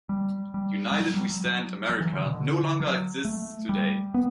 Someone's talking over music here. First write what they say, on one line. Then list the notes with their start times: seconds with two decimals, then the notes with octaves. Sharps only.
United We Stand America no longer exists today.
0.09 G3
0.54 G3
0.91 G3
1.00 F#3
1.14 G3
1.29 F#3
1.45 F#3
1.89 F#3
2.00 E3
2.13 D3
2.24 B2
2.34 D3
2.80 F#3
3.25 A3
3.69 G3
4.14 B3